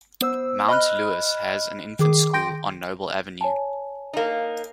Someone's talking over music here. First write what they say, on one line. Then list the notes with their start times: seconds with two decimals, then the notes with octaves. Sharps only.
Mount Lewis has an infants school on Noble Avenue.
0.21 B3 C5 E6
0.68 D#5 B5 F6 F#6
1.99 D#3 G#4 D6
2.33 G5 C6 G6 A#6 D7
3.41 C#5 G#5 A5
4.13 A#3 D#4